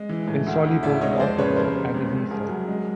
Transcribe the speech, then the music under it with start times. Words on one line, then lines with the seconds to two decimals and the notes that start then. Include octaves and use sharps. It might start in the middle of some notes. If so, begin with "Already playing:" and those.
Insoluble in alcohol and in ether.
Already playing: G#3
0.09 E3
0.27 A2
0.46 D2
0.65 D2
0.83 A2 D5 E5
1.01 G#3 C#5 D#5
1.20 F2 C5 D5
1.38 C#3 B4 C#5
1.56 D#2 A#4 C5
1.76 G3
1.94 C#2
2.12 C#2
2.31 C2 G#4 A#4
2.49 F#3
2.68 G#3